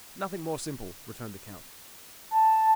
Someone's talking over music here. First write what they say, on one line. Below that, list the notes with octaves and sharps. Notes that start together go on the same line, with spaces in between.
"Nothing more simple," returned the count.
A5